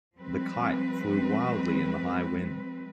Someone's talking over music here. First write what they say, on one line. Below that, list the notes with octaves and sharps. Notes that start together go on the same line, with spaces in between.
The kite flew wildly in the high wind.
F3 G3 G#3 C4 B4